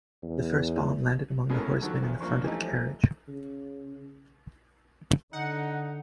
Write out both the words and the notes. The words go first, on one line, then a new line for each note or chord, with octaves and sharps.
The first bomb landed among the horsemen in front of the carriage.
E2
B2 G#3 C#4 E4 A4 A#4
D3 D#3 F3 F#3 F#4 A4
E2 F3
F2 F3 A#3 D4 C#6
E3 F3 G3 A3 D#4
C#3
D3 D#4 F#5